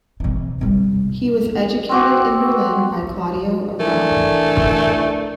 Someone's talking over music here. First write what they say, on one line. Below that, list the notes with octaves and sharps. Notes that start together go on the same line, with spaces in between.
He was educated in Berlin by Claudio Arrau.
C3 E3
C3 G3
C4 F#4 D6
E3 A3 D4 A#4 G#5